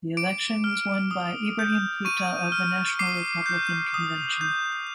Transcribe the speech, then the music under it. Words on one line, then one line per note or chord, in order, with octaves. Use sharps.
The election was won by Ibrahim Kuta of the National Republican Convention.
D6 D7
F6
D#6
G6
C#6 D#7
F6
D6 C7
G6
D#6
G6